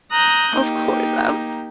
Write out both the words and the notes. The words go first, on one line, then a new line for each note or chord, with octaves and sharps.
of course, um
A#5 D#6 F#6 G6
A#3 D#4 G4